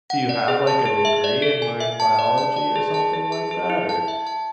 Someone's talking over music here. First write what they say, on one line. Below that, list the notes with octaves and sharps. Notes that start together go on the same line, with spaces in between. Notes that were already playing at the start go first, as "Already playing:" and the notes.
do you have, like, a degree in marine biology or something like that, or
F#5
D5
G#4
A5
G#4
E5
D5
A4
G#5
E5
A5
D5
A5
D5
G#4
A5
G#4
A5
G#4
E4
A5
E5
A5